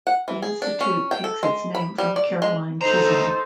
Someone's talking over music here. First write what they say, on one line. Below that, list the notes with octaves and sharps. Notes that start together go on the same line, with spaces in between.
The Institute takes its name from Caroline Chisholm.
F#5
E3
G#4
D4
C#4
G5
A4
G#3
B5
G3
D5
G#3
D2 D#4 A4 C5 A#5